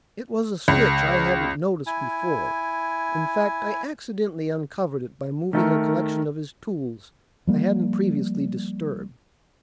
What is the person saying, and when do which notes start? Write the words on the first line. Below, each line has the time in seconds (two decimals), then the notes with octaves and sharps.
It was a switch I hadn't noticed before--in fact, I accidentally uncovered it by moving a collection of his tools I hadn't previously disturbed.
0.68 C#2
1.86 E4 G#5
5.53 D#3 A3 A#4
7.47 F3 G3 A#3